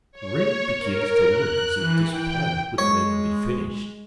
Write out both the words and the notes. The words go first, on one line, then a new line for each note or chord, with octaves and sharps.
It really begins to look as if this Planet would never be finished.
C#5
A#4
F#6
E3
G5
G#3 C#5